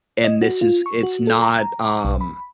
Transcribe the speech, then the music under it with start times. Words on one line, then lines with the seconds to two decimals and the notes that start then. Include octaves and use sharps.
and this is it's not, um,
0.24 D#5
0.42 F#4
0.61 F4
0.86 C#6
1.03 F#4
1.27 A4
1.42 A#5
2.05 B1
2.21 B5